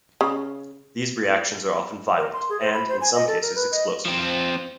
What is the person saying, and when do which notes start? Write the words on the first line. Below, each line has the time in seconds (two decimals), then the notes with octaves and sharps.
These reactions are often violent, and in some cases explosive.
0.21 C#3
2.18 A#4
2.33 C6
2.49 G#4
2.61 C5
2.74 B5
2.88 C5
3.01 G#5
3.14 D#5
3.27 A4
3.41 A#4
3.55 B4
3.72 D#5
4.05 F3 C4